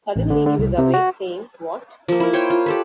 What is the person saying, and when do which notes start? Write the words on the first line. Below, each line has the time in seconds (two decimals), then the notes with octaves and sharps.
Suddenly he was awake, saying: "What?"
0.16 A1
0.30 D3
0.46 D3
0.59 C2
0.78 C3
0.94 F#4
2.08 F3 A#3
2.20 E4 A#4
2.33 C5 C#5 G5
2.50 F4
2.66 G4 A4 B4